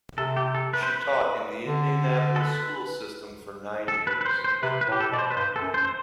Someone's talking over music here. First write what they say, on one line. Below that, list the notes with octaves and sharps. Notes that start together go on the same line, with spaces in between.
She taught in the Indianapolis School System for nine years.
C3 A4
G4
A4
B4
C5
B4
D3
A4
B4
A4
B4
B4
C5
C5
C3 B4
B4
A2
G4
A4
B2 D5
C5
B4
G2 C5
A4
F#2
C5
C5